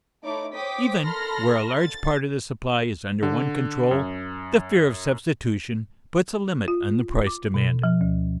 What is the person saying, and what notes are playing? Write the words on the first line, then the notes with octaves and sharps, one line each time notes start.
Even where a large part of the supply is under one control, the fear of substitution puts a limit on the price demanded.
A3 D#4 E4 C#5 D6
C5 C#5 G5 D6 D#6 B6
A4 A#4 B5 C6 F6 A#6
A6
D3
F#2
F4
D6
B2
F3
D2